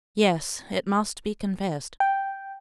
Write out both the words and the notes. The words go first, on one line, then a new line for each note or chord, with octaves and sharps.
Yes, it must be confessed.
G5